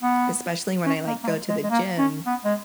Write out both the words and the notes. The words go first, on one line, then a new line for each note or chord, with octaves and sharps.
especially when I like go to the gym,
B3
C#4
A#3
A#3
G#3
G#3
G#3
A#3
C#4
B3
G#3